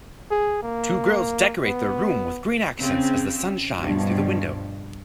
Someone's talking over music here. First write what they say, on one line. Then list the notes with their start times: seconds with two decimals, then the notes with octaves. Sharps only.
Two girls decorate their room with green accents as the sun shines through the window.
0.31 G#4
0.63 A#3
1.65 B3
2.80 C#3 C4
3.80 G2 B2 F3